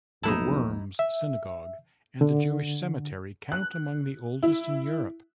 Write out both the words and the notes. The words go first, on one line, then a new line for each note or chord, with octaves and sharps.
The Worms Synagogue and the Jewish Cemetery count among the oldest in Europe.
D#1 B1 F3 A3 A#3 D#4 E4 A5
E5
D3
F#6
E4